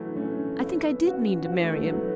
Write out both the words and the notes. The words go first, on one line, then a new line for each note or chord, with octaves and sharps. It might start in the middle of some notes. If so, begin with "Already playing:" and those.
I think I did mean to marry him.
Already playing: E3 F#3 A3
A3 C#4
B3 E4
C#4 F#4
F#4
B3 E4
E3 A3
E3 A3
F#3 B3